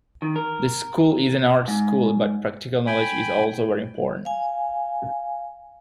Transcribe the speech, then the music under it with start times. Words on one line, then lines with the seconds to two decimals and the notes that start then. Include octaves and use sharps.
The school is an art school but practical knowledge is also very important.
0.22 D#3
0.36 A#4
1.68 G#2
2.87 G5 G#5 B5
4.25 F5 G#5